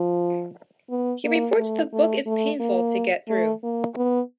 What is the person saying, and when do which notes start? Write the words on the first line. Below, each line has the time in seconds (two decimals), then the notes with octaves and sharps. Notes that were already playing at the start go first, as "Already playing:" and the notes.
He reports the book is painful to get through.
Already playing: F3
0.90 B3
1.24 A#3
1.58 A3
1.93 A3
2.26 A3
2.60 A#3
3.28 A3
3.63 A#3
3.97 B3